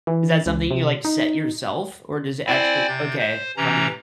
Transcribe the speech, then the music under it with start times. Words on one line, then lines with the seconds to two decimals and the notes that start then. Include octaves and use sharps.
Is that something you, like, set yourself or does it actually Okay, funny.
0.07 E3
0.46 C#2
0.71 C3
1.05 D#4
2.47 C4 E4 C5 D5 G#5
2.87 C3 G6 A6
3.18 C5
3.57 C3 E3 C#4 A#5